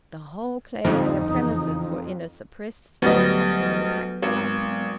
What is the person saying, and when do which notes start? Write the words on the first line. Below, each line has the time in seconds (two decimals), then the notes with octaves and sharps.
The whole Clayhanger premises were in a suppressed state of being packed up.
0.85 D1 F2 D3 G3 D#4
1.28 E2 C#3
3.02 D2 F#3 G3 B3 D#5
4.22 G#1